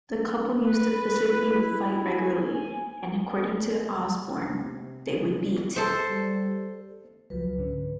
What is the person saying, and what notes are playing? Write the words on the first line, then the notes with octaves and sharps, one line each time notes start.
The couple used to physically fight regularly and, according to Osbourne, they would beat.
B4
E4
G#5
C3
A4 C5
G3
C#2 F3 F#3 B4
G#2 D3 C#4